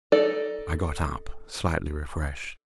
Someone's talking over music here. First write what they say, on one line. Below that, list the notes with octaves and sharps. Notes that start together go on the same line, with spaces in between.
I got up, slightly refreshed.
D#4 A4 D5